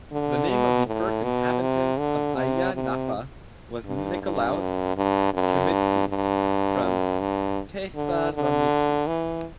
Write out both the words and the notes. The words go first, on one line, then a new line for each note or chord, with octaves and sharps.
The name of the first inhabitant of Ayia Napa was Nikolaos Kemitzis from Thesaloniki.
D3
B2
A2
B2
C3
D3
C3
C3
G2
G2
F#2
G2
F#2
G2
G2
F#2
G2
D3
D3
E3